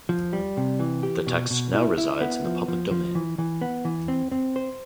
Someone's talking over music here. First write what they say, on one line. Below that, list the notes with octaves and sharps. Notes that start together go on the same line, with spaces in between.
The text now resides in the public domain.
F3
G3
C3
E3
G4
B2
B2
E4
E4
B3
F3
F3
F3
E3
E3
B3
E3
C4
C4
C5